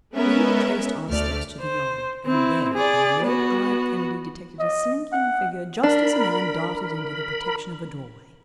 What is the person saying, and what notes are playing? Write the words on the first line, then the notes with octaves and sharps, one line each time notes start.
We retraced our steps to the yard, and there the alert eye of Kennedy detected a slinking figure just as a man darted into the protection of a doorway.
G#3 B3 C#4 A#4 B4 E5
D2 A3 D5 F6
C5
C4 E4
G#4 D5
B3 F#4
D#5
F#5
D4 A#4 B5